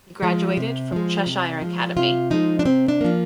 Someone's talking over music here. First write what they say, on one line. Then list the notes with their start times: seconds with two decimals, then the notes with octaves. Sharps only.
He graduated from Cheshire Academy.
0.22 F3 G#3
0.57 C3
0.92 F3 G#3
1.26 C3
1.62 F3 G#3
1.96 C3 F4
2.30 F3 G#3 D#4
2.59 D4
2.65 C3 C4
2.88 D4
3.01 F3 A#3